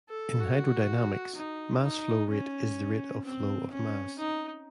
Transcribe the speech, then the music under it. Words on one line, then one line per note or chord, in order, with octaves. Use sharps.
In hydrodynamics, mass flow rate is the rate of flow of mass.
A4
F#4
D#4
D#4
C#4
C4
C#4
D#4